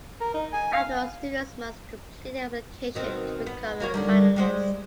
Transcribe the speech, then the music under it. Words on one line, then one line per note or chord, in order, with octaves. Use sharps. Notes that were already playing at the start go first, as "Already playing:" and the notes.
Afterwards students must complete an application to become a Finalist.
A#4
D#4
G#5
F5
B2 D#3 C4
B3
F#3 A#3 C#5
D3 D#3 G3
G3 G#3 C5